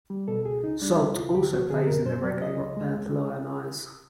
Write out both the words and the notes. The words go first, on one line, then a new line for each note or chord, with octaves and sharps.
Sult also plays in the reggae rock band Lionize.
G3
B2 A4
C#2 G#4
C#2 D#4
G3 D4
C3 E4
D2 F4
D2 G4
F3 F#4
D3 G#4
F#2 A#4
F#2 C5
F#3 D5
C#3 D#5
C#2
G#3